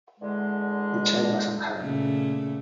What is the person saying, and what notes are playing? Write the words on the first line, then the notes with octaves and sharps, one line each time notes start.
The child was unharmed.
E2 D3 G#3
A#2 C#3 A3